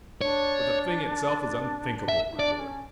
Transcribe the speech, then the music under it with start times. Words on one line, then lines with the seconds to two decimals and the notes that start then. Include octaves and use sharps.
But the thing itself is unthinkable, my lord.
0.21 D4 C#5
2.09 E5
2.32 E4
2.35 D4 D5
2.56 D4
2.59 C#4